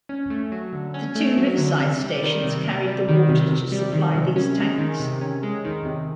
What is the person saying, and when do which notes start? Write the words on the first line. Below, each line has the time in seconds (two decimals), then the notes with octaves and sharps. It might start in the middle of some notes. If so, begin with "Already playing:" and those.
The two riverside stations carried the water to supply these tanks.
0.09 C#4
0.30 A3
0.52 F#3
0.73 D3
0.94 C#4
1.16 A3
1.38 F#3
1.58 D3
1.80 C3
2.01 G3
2.23 D#3
2.44 C3
2.65 C3
2.87 G3
3.08 D#3
3.29 C3
3.50 C3
3.72 G3
3.93 D#3
4.15 C3
4.36 C#4
4.57 G#3
4.78 D#3
5.00 C3
5.21 C#4
5.43 G#3
5.65 D#3
5.85 C3